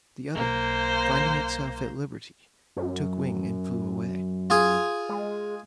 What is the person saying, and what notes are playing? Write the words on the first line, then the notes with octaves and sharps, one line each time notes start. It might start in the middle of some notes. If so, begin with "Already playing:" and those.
The other, finding itself at liberty, took wing and flew away.
B1 A#3 C5
F#2
F4 G#4
G#3